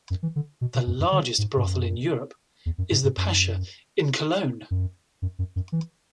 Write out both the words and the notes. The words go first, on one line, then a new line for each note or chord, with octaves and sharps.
The largest brothel in Europe is the Pascha in Cologne.
F#2
E3
D3
B2
B2
F#2
F#2
D3
G#2
G#2
F#2
E2
F#2
G#2
G#2
F#2
F#2
F#2
F#2
F#2
E3